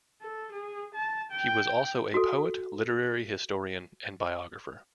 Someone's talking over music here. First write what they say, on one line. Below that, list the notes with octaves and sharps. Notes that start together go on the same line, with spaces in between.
He was also a poet, literary historian and biographer.
A4
G#4
A5
G5
F#4 A4